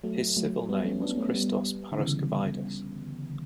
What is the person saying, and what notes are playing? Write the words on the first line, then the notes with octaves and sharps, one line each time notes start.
His civil name was Christos Paraskevaidis.
F#3 A3
F#3 A3
G3 B3
A3 C#4
B3 D4
A3 C#4
G3 B3
D3
C#3 E3